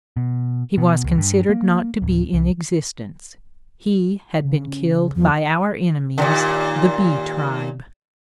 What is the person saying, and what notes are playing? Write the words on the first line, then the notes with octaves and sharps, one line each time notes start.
He was considered not to be in existence--he had been killed by our enemies, the Bee tribe.
B2
B2
C#2
G2
A#3
D1
C2
C#3
E2 F3
D#2 A#2 D3